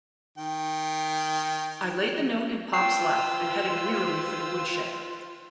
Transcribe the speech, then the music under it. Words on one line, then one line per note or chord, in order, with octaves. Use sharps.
I laid the note in Pop's lap and headed wearily for the woodshed.
D#3 G5
F4 B4 C5 G5 E6 C7